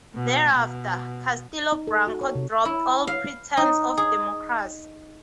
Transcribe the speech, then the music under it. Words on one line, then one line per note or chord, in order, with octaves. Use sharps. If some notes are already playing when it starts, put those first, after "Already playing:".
Thereafter, Castelo Branco dropped all pretense of democracy.
B2
B2
D#4
A4
F#4
C#5
C3
E4
F5
D#4
G#4